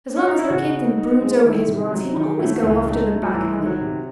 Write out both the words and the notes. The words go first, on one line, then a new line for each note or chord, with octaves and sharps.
As long as Rakitin broods over his wrongs, he will always go off to the back alley....
C#4
D#4
E4
C#3 F#4
D#4
D#4
G#3
D#3 E4
C3
F#3 D#4
D#3
A3 E4
F#4
C#2 E4
A3 D#4
A3
F#3
C2 E3
D#3
F#3
C3